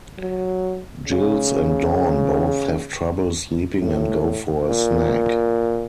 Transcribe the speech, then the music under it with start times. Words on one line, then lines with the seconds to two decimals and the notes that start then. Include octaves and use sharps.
Giles and Dawn both have trouble sleeping and go for a snack.
0.19 F#3
1.08 C#3
3.78 A2
4.67 A#2